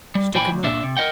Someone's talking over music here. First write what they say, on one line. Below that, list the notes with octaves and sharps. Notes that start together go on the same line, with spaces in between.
Stick 'em out.
G3
A#2 E3 C5 G5 G#5 B5
D2
A#2 D4 E5
C3
A#4 B4 D#5 F#5 G5